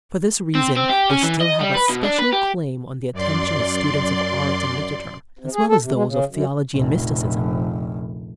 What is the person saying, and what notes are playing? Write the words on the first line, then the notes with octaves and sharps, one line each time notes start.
For this reason they still have a special claim on the attention of students of art and literature, as well as those of theology and mysticism.
C4
C4
G4
C#4
E3
D#5
G3
B4
B2
D4
B4
G4
F#2 D5 C6
C3
G#4
A4
C3
G#3
C#3
F#2
F1 A#1